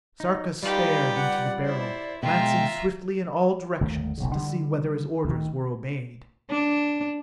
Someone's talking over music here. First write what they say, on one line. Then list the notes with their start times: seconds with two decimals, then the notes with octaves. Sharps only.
Sarka stared into the Beryl, glancing swiftly in all directions, to see whether his orders were obeyed.
0.20 D#4
0.62 G3 D#4 F4 G4 B4 D5 F5
1.15 F#5
1.65 E4 C5
2.23 B2 G#3 F4 E5 G5 A#5
3.81 G1 D#2 D#3 A3
4.18 E1 B1 C#3
4.35 D3 E3 G3
5.25 D2 D#3
6.50 D4